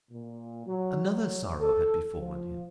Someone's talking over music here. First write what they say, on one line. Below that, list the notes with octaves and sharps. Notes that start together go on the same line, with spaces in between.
Another sorrow had befallen him.
A#2
F#3
F#3
A4
F3